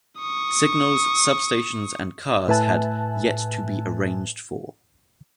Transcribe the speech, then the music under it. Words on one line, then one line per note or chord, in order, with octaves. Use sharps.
Signals, substations and cars had "yet to be arranged for".
C#6 D#6
A2 B4 E5 G#5 A5 F#6